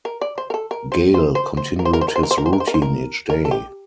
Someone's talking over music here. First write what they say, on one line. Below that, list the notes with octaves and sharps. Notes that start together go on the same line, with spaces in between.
Gale continued his routine each day.
A#4
D5
C5
A#4
A4
A#4
C5
C5
C5
C5
A#4
C5
A#4
C5
A#4
C5
A#4
C5
A#4
C5
A#4
C5
A#4
C5
A#4
A#4
A4
G4